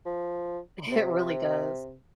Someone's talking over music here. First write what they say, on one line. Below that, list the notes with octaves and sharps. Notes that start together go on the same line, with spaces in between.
It really does.
F3
C3